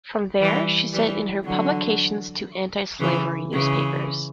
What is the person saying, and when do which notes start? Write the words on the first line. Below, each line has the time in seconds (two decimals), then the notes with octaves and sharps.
From there, she sent in her publications to anti-slavery newspapers.
0.41 E3 G3
0.93 E3 G3
1.44 D3 F#3
3.00 C#3 E3
3.52 C#3 E3